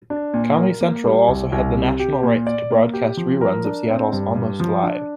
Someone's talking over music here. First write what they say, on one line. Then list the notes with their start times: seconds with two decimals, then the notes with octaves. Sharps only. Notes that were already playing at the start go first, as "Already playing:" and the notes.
Comedy Central also had the national rights to broadcast reruns of Seattle's Almost Live!
0.10 D4
0.34 A#2
0.57 A#4
0.81 A#3
1.04 G3
1.28 C2
1.52 C2
1.76 C3
2.00 G4
2.23 A#2
2.47 D5
2.70 A#3
2.93 G4
3.17 F3
3.41 A#4
3.64 D4
3.89 C4
4.13 G2
4.36 G2
4.60 F3
4.83 D4